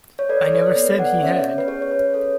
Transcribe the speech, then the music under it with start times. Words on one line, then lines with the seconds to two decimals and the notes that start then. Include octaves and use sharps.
I never said he had.
0.19 C#5
0.29 A4 B4 D5
0.45 D5
0.53 C#5
0.75 B3 B4
0.99 D5 F#5
1.21 C#4 C#5 E5
1.44 C#5
1.58 B4
1.68 G#4 C#5
1.82 C#5
1.91 B4
2.14 A4 C#5